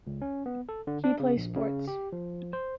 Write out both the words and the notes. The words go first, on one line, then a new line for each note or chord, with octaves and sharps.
He plays sports.
C#2
C#4
B3
A4
D3
D4
C#3
A#1
C#3
G4
F3
C5